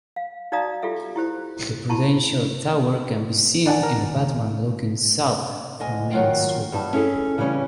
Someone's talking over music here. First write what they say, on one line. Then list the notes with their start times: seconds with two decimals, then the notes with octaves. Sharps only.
The Prudential Tower can be seen in the background looking south from Main Street.
0.16 F5
0.52 D#4 F#4 D5 F5 A#5 D#6
0.83 F4 G4 A4 E5
1.16 E4 G4 C5
1.90 E4 A5 B5 C#6
3.66 D5 F#5 G#5 A5
3.83 A#4
3.98 G#1
5.80 D2 D#5 G#5
6.11 D#3 F#3 G#3 F4 F5 G5
6.72 G2 G3 D#4 A5
6.93 C#4 E4 G#4 A4
7.38 C#3 E3 G3 A3 C#4